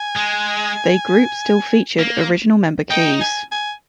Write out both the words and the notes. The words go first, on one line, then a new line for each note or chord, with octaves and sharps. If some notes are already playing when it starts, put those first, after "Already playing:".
They group still featured original member Keyes.
Already playing: G#5
G#3
A#3
D#4 G5
G#5
G#5